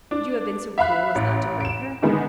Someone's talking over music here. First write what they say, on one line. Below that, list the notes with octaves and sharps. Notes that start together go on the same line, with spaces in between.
"Could you have been so cruel as not to bring her?"
D4
E5 F5 B5 F#6
A1
D7 E7
D3 D#3 G#3 B3